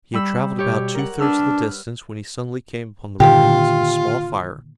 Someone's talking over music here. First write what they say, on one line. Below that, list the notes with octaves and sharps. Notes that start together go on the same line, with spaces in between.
He had traveled about two-thirds of the distance when he suddenly came upon the remains of a small fire.
G3 B5 E6
B2 G4 C#5
A#4 F#5
D4 B4 E6 F6
A#2 D3 D#3 F4 G4